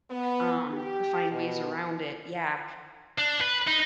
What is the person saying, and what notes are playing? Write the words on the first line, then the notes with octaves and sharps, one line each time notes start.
um, to find ways around it. Yeah.
B3
G4
B2
D4
B4
D#4